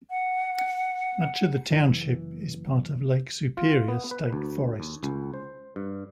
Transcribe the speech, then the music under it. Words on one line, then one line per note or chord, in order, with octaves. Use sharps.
Much of the township is part of Lake Superior State Forest.
F#5
F#1 E3
F4
B3
B4
D2
D#2
C#2
C5
G2